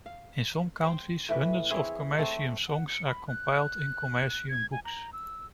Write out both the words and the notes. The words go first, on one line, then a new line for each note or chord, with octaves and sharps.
In some countries, hundreds of commercium songs are compiled in commercium books.
F5
C5 G5
A2 E3 B4 G5
C4 E4 G#4 C#5
A3 C4 C5 C#5
F#5
C#7
B5
F#6
G#6
G#5
A#5
E6